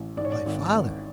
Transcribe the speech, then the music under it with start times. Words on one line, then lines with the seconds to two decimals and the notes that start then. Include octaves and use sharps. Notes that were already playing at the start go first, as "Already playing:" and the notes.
"My father!"
Already playing: A1
0.17 G#2 D5
0.25 C#5
0.32 D5
0.46 G#1
0.74 G#1